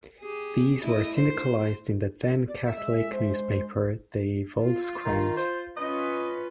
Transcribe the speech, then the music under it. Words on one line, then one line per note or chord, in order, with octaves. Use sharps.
These were syndicalized in the then catholic newspaper de Volkskrant.
G4 G#4
A3 E4 D#5
C5
D5
E5
G#3 E6
C5
F4
D#3
C5
C#4 F4 B4 D#5